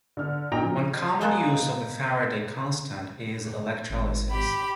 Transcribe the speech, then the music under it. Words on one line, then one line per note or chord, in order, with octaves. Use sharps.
One common use of the Faraday constant is electrolysis.
D3 F6
A#2 D#4 G5 A#5 A#6 F7
F3
G#3 A#3 B3 G#4 A4
G#1
G4 B5